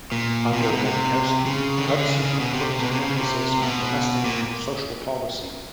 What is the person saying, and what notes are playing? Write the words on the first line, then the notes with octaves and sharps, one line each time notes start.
Under Lenkowsky, Hudson put an emphasis on domestic and social policy.
A#2
B2
C3
B2
C3
C#3
D3
D#3
D3
C#3
C#3
B2
C3
C3
B2
C3
C#3
C3
B2
A#2